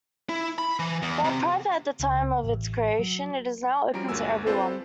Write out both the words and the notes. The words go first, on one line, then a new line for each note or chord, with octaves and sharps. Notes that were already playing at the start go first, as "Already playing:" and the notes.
While private at the time of its creation, it is now open to everyone.
E4
B5
E3
E2
C3
C#2
A1
F#3
F3 G3 C#4 F#4 A#5 D7
G1 D2 G#3 A#3 G#5 E6
C4 F4 A4 B4 C5 D5